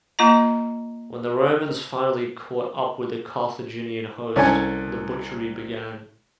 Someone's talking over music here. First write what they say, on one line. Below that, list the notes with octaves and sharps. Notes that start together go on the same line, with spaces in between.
When the Romans finally caught up with the Carthaginian host, the butchery began.
A#3 F4 D#5 A#5
C2 C#4 A4 G#5